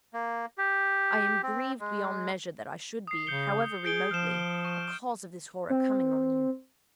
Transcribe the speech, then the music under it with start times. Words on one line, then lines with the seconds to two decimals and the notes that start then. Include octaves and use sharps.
I am grieved beyond measure that I should be, however remotely, a cause of this horror coming on you.
0.13 A#3
0.58 G4
1.43 C4
1.80 G#3
3.07 D#6 C7
3.27 C#3 G6 C#7 G7
3.85 G#4 G6 D7 G7
4.11 F3 F6 E7
4.65 C#6
5.70 C4